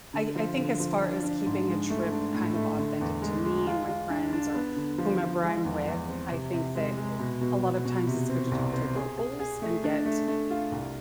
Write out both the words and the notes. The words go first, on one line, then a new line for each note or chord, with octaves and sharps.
I think as far as keeping a trip kind of authentic to me and my friends or whomever I'm with, I think that eh a lot of times it's good to talk to locals and get
D3
F3
D3
F3
D4
D4
G#2
G#3
A3
D4
A2
A3
D3
E2
G#3
G#3
F4
F4
D4
D4
B3
D3
F3
F3
G#3
E2
E2
C4
C3
C3
G#3
G#3
B2
B2
B3
B2
C3
C4
C2
C4
G#4
G#4
G#4
A3
D4
A3
A3
F4
C2